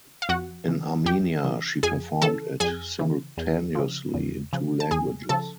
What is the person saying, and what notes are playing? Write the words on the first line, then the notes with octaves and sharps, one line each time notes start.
In Armenia she performed it simultaneously in two languages.
F5
F2 F#4 F#5
C#3 E3
F2 G4 G5
C#3 E3
F2 G#4 G#5
C#3 E3 A4 A5
F2 G#4 G#5
C#3 E3
E2
C#3 F3
E2
C#3 F3
A5
E2 G#4 G#5
C#3 F3 A4 A5